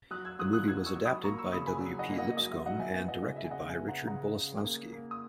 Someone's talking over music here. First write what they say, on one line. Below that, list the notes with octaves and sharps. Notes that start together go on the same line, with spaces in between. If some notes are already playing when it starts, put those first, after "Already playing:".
The movie was adapted by W. P. Lipscomb and directed by Richard Boleslawski.
F#3 D#6 F#6
E6 G#6
F#3 D#6 F#6
D#6 F#6
F#3 E6 G#6
C#6 E6
F#3
B5 D#6
A#3 A#5 C#6
C#6 E6
C#3 B5 D#6
G#5 B5
F#3
D#5 F#5
A#3
D#5 F#5
F#3 D#5
E5
F#3 D#5 F#5
E5 G#5
B3 E5 G#5
D#5 F#5
C#3 D#5
E5
G#5
C#3 D#5 F#5
E5 G#5
B3
F#5 A#5
C#3 F#5 A#5
C#3
A#3
A#3
D#6